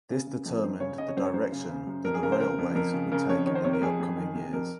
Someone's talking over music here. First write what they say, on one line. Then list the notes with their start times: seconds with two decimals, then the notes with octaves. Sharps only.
This determined the direction that the railways would take in the upcoming years.
0.10 C#3
0.27 C#3
0.46 F2
0.63 F#2 C5
0.80 C#3 C#5
0.98 C#3 D#5
1.08 C#5
1.17 F#2 C5
1.25 C#5
1.34 F#2 C5
1.52 C#3
1.69 C#3
1.87 F#2
2.05 F2 A#4
2.14 G#4
2.23 C#3 A#4
2.32 C5
2.40 C#3 A#4
2.58 F2
2.75 F2 A#4
2.93 C#3
3.12 C#3 A#4
3.29 F2 C#5
3.47 D#3 C#5
3.55 C5
3.64 C3 C#5
3.73 A#4
3.82 F2 G#4
4.00 F2
4.17 D#3
4.35 C3
4.53 F2 A#4